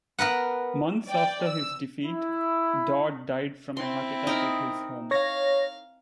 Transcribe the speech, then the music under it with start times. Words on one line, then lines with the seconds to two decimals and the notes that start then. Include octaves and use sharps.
Months after his defeat, Dodd died from a heart attack at his home.
0.19 B3 A#4 B4 F#5
1.07 D5 G5
1.47 E6
2.03 E4
3.77 C4 E4 C6
4.27 D#4 A#4
5.11 C#5 F5 A#6